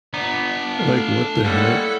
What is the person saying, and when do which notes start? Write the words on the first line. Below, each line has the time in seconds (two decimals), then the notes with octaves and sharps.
like, what the heck?
0.14 B3 D4 A#5
0.74 A3 F5
1.45 G3 G#3 A#3 E4 A4 C#5 F#5